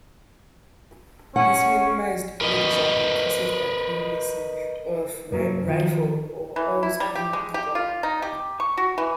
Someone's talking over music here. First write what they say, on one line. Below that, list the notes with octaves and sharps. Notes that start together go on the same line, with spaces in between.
This minimized bullet jump increases the accuracy of the rifle, all else being equal.
C#4 F#5
A#4 B4 D#5
C2 F#2 F#3 A#3
D#3 F3 F4
E3
E4
G3
G4
G#3
G4
F4
D#4
G4
C#6
F#4
E3